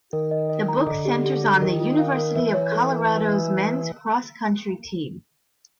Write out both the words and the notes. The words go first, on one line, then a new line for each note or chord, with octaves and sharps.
The book centers on the University of Colorado's men's cross country team.
D#3 A#4
D#5
D#5
A#5
D3 D#5
G4
G4
G4
D#3 A#4
F4
F5
A#4
E3 E5
C#5
A4
A4